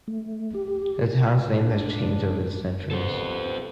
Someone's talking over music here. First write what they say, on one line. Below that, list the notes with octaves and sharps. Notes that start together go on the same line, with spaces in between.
The town's name has changed over the centuries.
A3
G4
D4
G2 C3 B3 A4 C5